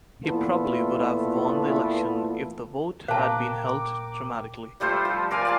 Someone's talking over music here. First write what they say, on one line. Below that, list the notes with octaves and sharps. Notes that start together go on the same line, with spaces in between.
He probably would have won the election if the vote had been held democratically.
A#2 E3 A3 B3 F4 A4
A#2 A#4 F5 G5 A5 A#5 D6 F#6
G3 A3 F4 C5
F3
A#4 D5 F5 G#5
D5 G#5 A5